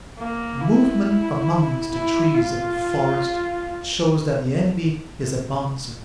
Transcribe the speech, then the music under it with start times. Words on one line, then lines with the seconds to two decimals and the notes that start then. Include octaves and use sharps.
Movement amongst the trees of a forest shows that the enemy is advancing.
0.18 A#3
0.61 E4
1.92 E4
2.34 F4